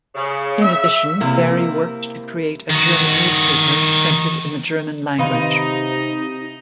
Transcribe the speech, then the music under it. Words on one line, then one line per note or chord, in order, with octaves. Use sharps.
In addition, Barry worked to create a German newspaper printed in the German language.
C#3
E5
C3 A#3 E4
D#3 F#4
C3 D#3 D#4 F5 B5